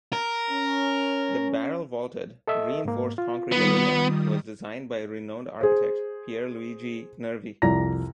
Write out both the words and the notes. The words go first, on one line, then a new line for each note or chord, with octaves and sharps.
The barrel-vaulted, reinforced concrete arena was designed by renowned architect Pier Luigi Nervi.
A#4
C#4
A4 D#5 E5
G#2 A#3
F4
D#3 G3 B3 D#6
G#4 C5
C2 F2 D5 A#5 A#6